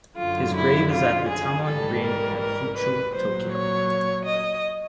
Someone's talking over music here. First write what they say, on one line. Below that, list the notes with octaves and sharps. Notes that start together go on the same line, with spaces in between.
His grave is at the Tama Reien at Fuchu, Tokyo.
F#2 D3 F#3 F4
E4
F4
G#4
G#2 E3 G3 A4
A#4
A#4
B4
A#2 F#3 C5
C#5
D#5